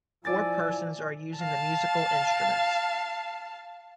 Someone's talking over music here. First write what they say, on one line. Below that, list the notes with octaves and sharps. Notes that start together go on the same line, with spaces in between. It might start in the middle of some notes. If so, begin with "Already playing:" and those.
Four persons are using the musical instruments.
F3 E4 D5 G#5 A6
F5 A5